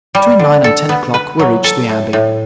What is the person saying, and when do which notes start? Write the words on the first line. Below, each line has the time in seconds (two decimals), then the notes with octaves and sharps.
Between nine and ten o'clock we reached the Abbey.
0.15 G3
0.39 D3
0.64 A4
0.89 B3
1.14 B4
1.39 F#3
1.64 A4
1.89 A2
2.13 A2